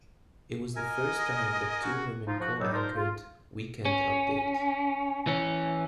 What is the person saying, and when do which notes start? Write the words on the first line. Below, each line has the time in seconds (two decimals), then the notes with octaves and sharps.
It was the first time that two women co-anchored "Weekend Update".
0.76 A#4 D#5 G#5
1.82 F#4
2.26 F3 D#4 F4
2.40 F3 F#4
2.59 D#3 F#3 G3 D#4 A4
2.72 D4 D#4 F4 A#4 C5
2.95 F4
3.85 C#4
5.27 E3 C#4